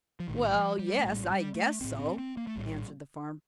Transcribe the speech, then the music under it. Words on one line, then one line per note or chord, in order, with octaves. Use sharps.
"Well, yes, I guess so," answered the farmer.
F3
A#1 A2 D#3
F3
G3
A3
A#1 A2 G3
G3
A3
A#1 A2 C4
C4
C4
A#3
A3
A#1 A2 G3